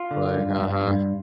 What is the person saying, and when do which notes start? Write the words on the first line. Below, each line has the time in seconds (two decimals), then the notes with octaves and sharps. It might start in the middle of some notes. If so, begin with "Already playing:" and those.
Like, uh-huh.
Already playing: F4
0.11 D3
0.37 G2
0.61 G2
0.87 G2